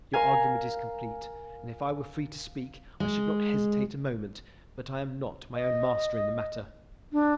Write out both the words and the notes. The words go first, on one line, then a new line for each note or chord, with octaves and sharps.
Your argument is complete, and if I were free to speak I should not hesitate a moment; but I am not my own master in the matter.
A#4 F5 G#5
G#3
D#5
D4